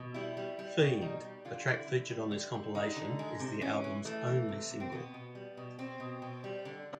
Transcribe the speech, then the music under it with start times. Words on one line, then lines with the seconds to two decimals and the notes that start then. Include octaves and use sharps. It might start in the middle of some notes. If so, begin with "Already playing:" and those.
"Fiend", a track featured on this compilation, is the album's only single.
Already playing: B2
0.14 G3 E4
0.37 G3
0.59 G3
0.80 B2
1.01 G3 D#4
1.24 G3
1.45 D3 F4
1.67 D3 E4
1.88 D3
2.10 G3
2.31 D3
2.54 G3
2.75 D3 D#4
2.96 D3
3.19 G#3
3.40 C3
3.61 E3 C#4
3.84 E3
4.05 E3 A3
4.27 E3
4.49 C3
4.70 C3
4.80 C4
4.92 B2 B3
5.14 B2
5.35 G3
5.57 B2
5.78 B2 C4
6.00 B2
6.22 B2
6.44 G3
6.65 D3